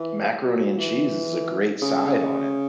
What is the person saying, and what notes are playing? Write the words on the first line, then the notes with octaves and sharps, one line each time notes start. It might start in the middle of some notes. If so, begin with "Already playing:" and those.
macaroni and cheese is a great side on it.
Already playing: E3
F#3
E3
C#3